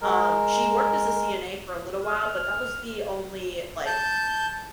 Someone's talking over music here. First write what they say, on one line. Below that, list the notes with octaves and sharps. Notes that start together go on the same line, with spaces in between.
um, she worked as a CNA for a little while, but that was the only, like,
G#3 A#4
F6
A5 G6